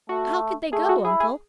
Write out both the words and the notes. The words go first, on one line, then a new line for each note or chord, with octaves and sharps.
"How could they go, Uncle?"
A3 F#4
A3 G#4
F#4
E4 G#4
G#4